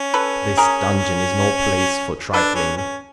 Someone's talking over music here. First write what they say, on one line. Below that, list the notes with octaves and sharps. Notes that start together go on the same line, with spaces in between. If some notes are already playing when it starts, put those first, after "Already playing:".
This dungeon is no place for trifling.
Already playing: C#4
A4 B4
G#4 A#4
D4 A4 B4
C#4
C#4